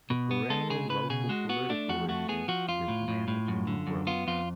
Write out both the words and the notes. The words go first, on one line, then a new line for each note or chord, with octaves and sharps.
The perennial local political issue is managing growth.
B2
B3
G#3 A4
C#3 G#4
C#3 B4
B2 G#4
G#3 F#4
B3 F#4
A3 D4
F2 F#4
A3 F#4
B3 G#4
F3 F#4
F2 F4
A2
A2
A2
F#2
D3
F#2
B3 F4
F2 F4